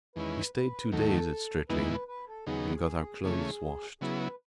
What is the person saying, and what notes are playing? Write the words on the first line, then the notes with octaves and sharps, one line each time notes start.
We stayed two days at Streatley, and got our clothes washed.
E2 D#3 G#3 C#4 E4 B4
B4
D#2 D#3 F#3 A3 A4
E2 D#3 G#3 B3 E4 B4
B4
B4
A4
D#2 C#3 F#3 B3 D#4 G#4
C#3 E3 A3 C#4
C#3 F#3 B3 E4 G#4
B4